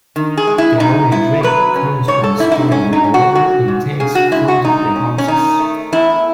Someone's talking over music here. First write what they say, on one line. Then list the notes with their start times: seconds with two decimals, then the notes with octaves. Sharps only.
Their only drink comes from storing rain water in tanks front of their houses.
0.16 D#3
0.37 G#4
0.47 G#3
0.58 E4
0.80 F#2 D#4
1.11 B3 E4
1.43 F#3 B4
1.75 C#4
2.08 G#2 C#5
2.24 A4
2.39 G#2 E4
2.52 E4
2.55 D#4
2.71 F#3 C#4
2.93 D#4
3.04 C#4
3.14 F#4
3.35 G#2 F#4
3.68 G#2
4.00 C#3 G#4
4.15 F#4
4.31 G#3 E4
4.48 F#4
4.64 E2 D#4
4.96 C#4
5.18 C#4
5.27 D#3 D#4
5.59 A3
5.92 E2 E4